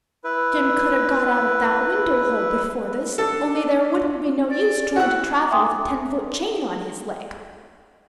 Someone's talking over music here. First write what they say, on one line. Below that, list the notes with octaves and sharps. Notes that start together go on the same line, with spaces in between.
Jim could a got out of that window-hole before this, only there wouldn't be no use trying to travel with a ten-foot chain on his leg.
E4 B4
D4 A4
D5
E4 F#4 F#5
E5 G5 G#5 C6 D6 D#6